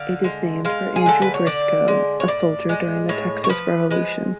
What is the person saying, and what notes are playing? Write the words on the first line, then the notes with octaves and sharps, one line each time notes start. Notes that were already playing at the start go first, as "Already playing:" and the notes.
It is named for Andrew Briscoe, a soldier during the Texas Revolution.
Already playing: D3 F5
G#3
G#3 F5
G#4
D3 A4
B4
C#5
D3 D5
G#3
C#5
A2 D5
G#3
A2 C#5
C#5
F3 B4
G#3 B4